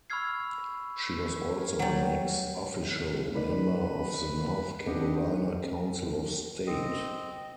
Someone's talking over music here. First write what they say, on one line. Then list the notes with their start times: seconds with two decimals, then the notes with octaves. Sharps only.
She was also an ex offico member of the North Carolina Council of State.
0.10 B5 C#6 E6 F6 G#6 C7
1.79 F#3 G3
3.35 D#4 A#4 B4 D5 B5
4.87 C4 D4 G4 D#5 F#5
6.67 C4 D#5